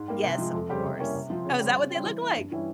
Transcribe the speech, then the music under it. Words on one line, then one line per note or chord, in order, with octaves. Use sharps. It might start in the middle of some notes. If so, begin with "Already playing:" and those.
Yes, of course. Oh, is that what they look like?
Already playing: G#2
G3 A#3
C3
F3 G#3
F2
C#3 G3 C4 G4
C3
G3 A#3 C#4 E4
C3
F3 C4
C#3
G3 C4
C#3
G3 C4
E3
A#3 E4 A#4
G2
E3 G3 C#4 E4